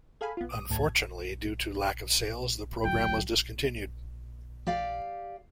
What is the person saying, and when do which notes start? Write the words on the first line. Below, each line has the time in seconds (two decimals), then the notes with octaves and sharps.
Unfortunately, due to lack of sales, the program was discontinued.
0.21 G#4 A4 F5 G#5 B5
0.37 B3 F4
0.49 D6 D#6
0.70 D2 A2 A5 G#6
2.85 D1 G#1 F#3 G5
4.67 G4 D5 F5